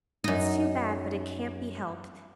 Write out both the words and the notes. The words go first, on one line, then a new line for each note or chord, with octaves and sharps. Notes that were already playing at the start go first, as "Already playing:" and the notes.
It's too bad, but it can't be helped.
F#2 D#4